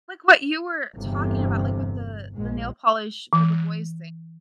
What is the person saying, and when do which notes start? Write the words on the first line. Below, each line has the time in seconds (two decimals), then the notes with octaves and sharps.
like, what you were talking about, like, with the the nail polish for the boys thing,
0.97 G1 E2 C3
2.35 A#1 G#3
3.33 E3